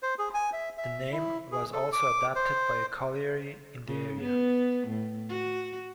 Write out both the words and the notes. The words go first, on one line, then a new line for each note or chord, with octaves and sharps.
The name was also adopted by a colliery in the area.
C5
G#4
G#5
E5
E5
E4
G#4
A4
D6
C5
C#3
B3
A2
F#4